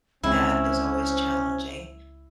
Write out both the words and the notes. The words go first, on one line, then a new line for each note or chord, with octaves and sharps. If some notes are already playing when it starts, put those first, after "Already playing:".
that is always challenging,
C#2 G#3 C4 C#4 E4 C5